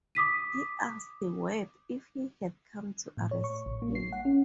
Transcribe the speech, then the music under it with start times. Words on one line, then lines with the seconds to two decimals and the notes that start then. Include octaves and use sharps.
He asked Webb if he had come to arrest him.
0.15 D6 D#6 B6 D#7
3.17 A2
3.31 C#5
3.44 C#6
3.66 A1
3.82 A#3
3.95 C7
4.12 F#5
4.25 C#4